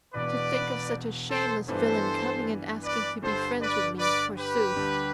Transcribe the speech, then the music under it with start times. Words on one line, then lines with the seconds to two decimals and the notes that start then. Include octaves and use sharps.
To think of such a shameless villain coming and asking to be friends with me, forsooth!
0.14 E1 E2 B2 B4 D5
1.29 A4 C5
1.68 G2 E3 G3 B3 D4 A4 C5
2.83 B4 D5
3.22 G1 G2 D3 G3 A4 C5
3.61 B4 D5
3.99 B4 D5
4.38 G4 B4
4.76 D2 D3 G3 D4